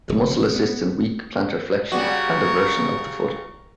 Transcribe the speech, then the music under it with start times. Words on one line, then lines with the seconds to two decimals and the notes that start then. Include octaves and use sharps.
The muscle assists in weak plantarflexion and eversion of the foot.
0.09 F1
0.56 B3
1.92 C#3 G3 F#4 A#4 C#6